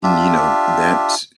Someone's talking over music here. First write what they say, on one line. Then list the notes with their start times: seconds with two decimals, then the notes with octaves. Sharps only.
and, you know, that
0.03 D4 F4 G4 E5